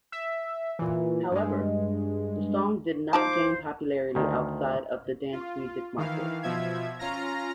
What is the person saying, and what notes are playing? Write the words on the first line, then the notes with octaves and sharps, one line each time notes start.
However, the song did not gain popularity outside of the dance music market.
E5
A#2 E3
G2 G#3
F3 D#4 C5 A5 D6
D2 D#3
F4
D#3 E3 F5
B2 F3 E5 G#6
C#4 F4 A#5 F6 A#6